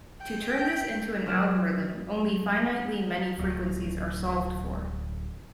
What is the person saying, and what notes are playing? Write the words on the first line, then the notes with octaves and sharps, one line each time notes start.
To turn this into an algorithm, only finitely many frequencies are solved for.
G5
F#2 F#3 A#4 C5 D5
D1 F#3 A3